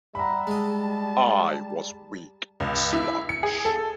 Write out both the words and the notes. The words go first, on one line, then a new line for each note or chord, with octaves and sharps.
I was weak and sluggish.
G3 E5 F#5 A#5 B5
G#3 D#5 A5
C#2
E4
C#7
G#4
A4